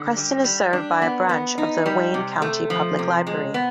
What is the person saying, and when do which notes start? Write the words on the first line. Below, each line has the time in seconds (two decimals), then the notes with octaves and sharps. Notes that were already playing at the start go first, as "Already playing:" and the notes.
Creston is served by a branch of the Wayne County Public Library.
Already playing: D3
0.17 G3
0.44 G3
0.73 D4
1.02 B3
1.29 B3
1.58 D#4
1.86 G3
2.14 C3
2.42 A3
2.70 F3
2.99 C3
3.27 G#3
3.54 B3